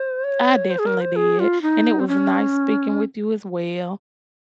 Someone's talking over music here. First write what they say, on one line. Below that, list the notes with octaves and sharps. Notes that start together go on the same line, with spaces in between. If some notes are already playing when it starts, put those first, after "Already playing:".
I definitely did, and it was nice speaking with you as well.
Already playing: C5
C#5
C5
G#4
A#4
C5
G#4
F4
D#4
C4
C#4